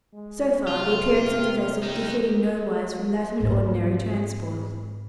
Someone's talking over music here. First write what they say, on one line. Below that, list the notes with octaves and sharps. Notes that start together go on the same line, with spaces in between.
So far the appearance of the vessel differed in no wise from that of an ordinary transport.
G#3
C3 F4
D#4 G4
G#2 C4